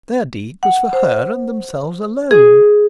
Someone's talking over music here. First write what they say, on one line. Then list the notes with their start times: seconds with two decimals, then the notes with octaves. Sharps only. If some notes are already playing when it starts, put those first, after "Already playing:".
Their deed was for her and themselves alone.
0.63 F#5
0.93 C5
2.31 G#4